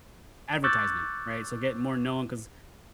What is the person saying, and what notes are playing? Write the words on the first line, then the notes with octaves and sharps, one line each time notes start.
advertisement," right? So, get more known 'cause"
C#6 D6 E6 F#6 G6 A6